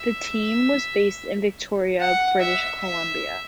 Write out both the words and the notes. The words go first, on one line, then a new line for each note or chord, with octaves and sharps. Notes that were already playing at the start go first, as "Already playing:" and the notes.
The team was based in Victoria, British Columbia.
Already playing: E5
F#5
E5
E5